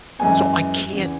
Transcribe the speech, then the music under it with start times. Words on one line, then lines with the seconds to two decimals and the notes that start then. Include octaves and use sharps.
so I can't
0.19 F#2 E3 G#3 B3 G#5
0.90 E2 C#3 E3